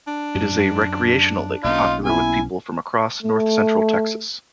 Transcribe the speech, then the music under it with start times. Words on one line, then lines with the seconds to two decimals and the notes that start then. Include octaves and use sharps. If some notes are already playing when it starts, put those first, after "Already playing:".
It is a recreational lake popular with people from across north central Texas.
0.07 D4
0.35 F#2
1.64 B1 A#3 C#4 D#4 F4
2.05 B3 E4 G#5
3.23 A3